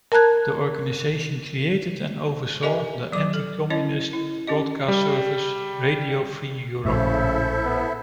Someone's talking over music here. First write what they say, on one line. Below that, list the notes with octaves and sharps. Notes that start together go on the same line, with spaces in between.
The organization created and oversaw the anti-communist broadcast service Radio Free Europe.
A#4 A5 A#5 F#6 G#6
G4 A#4 D#5 E5 G#5
F#3 D6
A4
C#4 E4 C#5 D#5
E4
C#4 G4 D#5
G3
A#1 A2 C#3 E4 A4 C5 E5
B3